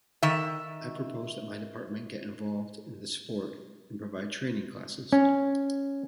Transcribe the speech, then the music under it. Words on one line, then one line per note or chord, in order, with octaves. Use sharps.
I propose that my department get involved in this sport and provide training classes.
D#3 E5
C#4